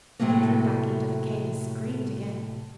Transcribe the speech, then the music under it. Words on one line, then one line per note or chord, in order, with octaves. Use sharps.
She drew back into the cave and screamed again.
A2 C3 F#3 A3 A#3